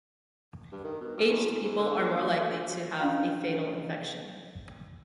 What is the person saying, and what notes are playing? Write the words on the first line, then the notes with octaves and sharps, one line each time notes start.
Aged people are more likely to have a fatal infection.
G2
D#3
B2
F#2
G#1
F#1
G#2
D3
A#2
A#1
D2
C#4 D4 E4 F4 F5